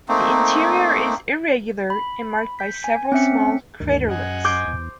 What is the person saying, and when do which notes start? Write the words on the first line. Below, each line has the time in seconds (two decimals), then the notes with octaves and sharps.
The interior is irregular and marked by several small craterlets.
0.09 A3 A#3 C4 D#4
1.90 B5
2.59 G6 B6
2.84 G#5
3.12 C4 C#4 E5 C#7
3.80 D2 G2 D#3
4.09 F#2 D#5 F#5 G#5
4.44 C5 D6 G6
4.67 E2